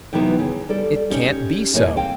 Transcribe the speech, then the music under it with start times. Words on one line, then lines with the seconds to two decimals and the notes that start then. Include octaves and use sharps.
It can't be so!
0.13 C3 D#3 E3 F#3 B3 C4
0.39 C#3
0.69 G3 A4 D5
1.10 C#4 D#4 G4
1.74 A#2 E3 A3 D#4 C#5 G#5
1.96 C4 F5 G5